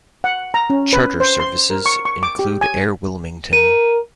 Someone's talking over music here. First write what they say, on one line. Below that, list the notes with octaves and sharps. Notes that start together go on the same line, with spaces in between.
Charter services include Air Wilmington.
F#5
A#5
C#4
B4
C5
C6
A#4
C#6
C#6
D6
G4
G#5
A#4 D#7